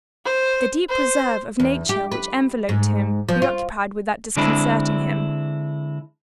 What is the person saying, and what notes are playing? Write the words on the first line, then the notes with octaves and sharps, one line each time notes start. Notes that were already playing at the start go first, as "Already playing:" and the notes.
The deep reserve of nature which enveloped him preoccupied without disconcerting him.
C5
C5
E2
G4
B4
G#2
F3
F4
D3 G#3 C4 D4 E4